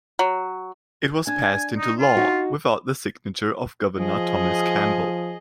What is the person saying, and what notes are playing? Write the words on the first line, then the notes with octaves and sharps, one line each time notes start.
It was passed into law without the signature of Governor Thomas Campbell.
F#3
D4 G#5
D#4
F4
D#4 F#4
F3 G#4 D#5